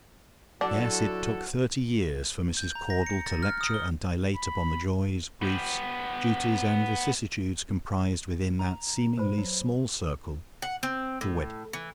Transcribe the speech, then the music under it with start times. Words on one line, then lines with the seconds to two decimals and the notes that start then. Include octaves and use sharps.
Yes, it took thirty years for Mrs. Caudle to lecture and dilate upon the joys, griefs, duties, and vicissitudes comprised within that seemingly small circle--the wedding-ring.
0.61 D3 F#3 D4 E4 F#4 A4 D5 F#5
2.57 G6
2.75 A#5
2.90 A#6
3.06 C#7
3.26 A6
3.43 F6
3.61 D#6
3.74 G7
4.36 B5
5.42 B3 G4
8.59 A#5
9.17 A#2 B4 C5 B5
9.38 F#3
10.62 F#5
10.83 C4
11.21 A2
11.73 E3